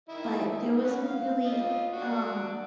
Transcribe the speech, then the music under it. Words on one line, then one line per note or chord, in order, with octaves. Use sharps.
but there wasn't really, um
D#3 E4 D#5
D#3
C#4 B4 F#5
F5
F4 D#5
D4 F#4